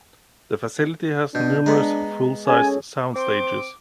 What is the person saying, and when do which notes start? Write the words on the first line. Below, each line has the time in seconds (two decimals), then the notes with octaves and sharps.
The facility has numerous full-size sound stages.
1.35 B2 D4 G6
1.66 G#3 B3 A#5
2.48 C#4 G#4 A4 C#5 G#5
3.16 C4 C5 C6 D6